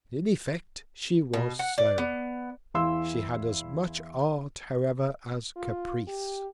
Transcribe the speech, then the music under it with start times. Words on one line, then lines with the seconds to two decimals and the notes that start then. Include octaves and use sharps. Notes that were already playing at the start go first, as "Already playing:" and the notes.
And in Effect, she was so: She had as much Art, however, as Caprice.
1.34 B2
1.59 F#5
1.78 D5
1.98 B3
2.74 E2 E3 E4 F5 C6 E6
5.57 F4
6.08 G4